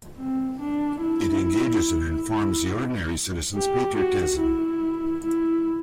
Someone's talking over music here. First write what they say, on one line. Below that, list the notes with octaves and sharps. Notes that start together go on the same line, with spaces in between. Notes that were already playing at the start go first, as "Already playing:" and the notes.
It engages and informs the ordinary citizen's patriotism.
C4
D4
E4
E4
G4
F#4
E4
E4